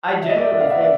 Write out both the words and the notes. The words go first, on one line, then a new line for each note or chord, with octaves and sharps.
I genuinely think
E5
D#5
D5 E5
D5 E5
D#5 F5
E5 F#5
D5 E5